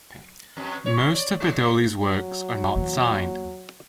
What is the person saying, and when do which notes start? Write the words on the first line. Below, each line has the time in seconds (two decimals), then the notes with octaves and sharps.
Most of Bedoli's works are not signed.
0.57 F2
0.86 C#5
1.14 D5
1.40 G3
1.99 F#3
2.76 E2 A#3